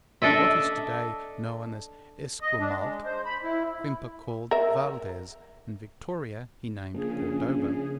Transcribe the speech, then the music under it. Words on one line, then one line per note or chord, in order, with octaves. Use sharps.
What is to-day known as Esquimalt, Quimper called Valdes, and Victoria he named Cordoba.
D4 A4 D#5 E5
D#5
D4
G#3
C5
B5
E4
A#4 E5
A#1 C#3 G#4